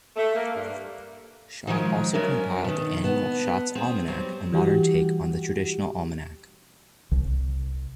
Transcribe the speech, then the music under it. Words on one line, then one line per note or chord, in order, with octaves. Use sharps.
Schott also compiled the annual "Schott's Almanac", a modern take on the traditional almanac.
A3
A#3
G2
D#3 F3 F#3 G#3
F#3 C#4 D4 A#4 E5 G#5
B2 D#3
B3 A5
C4 G#4
F#3 G3 C4
E3 G3 F#4 G4
C2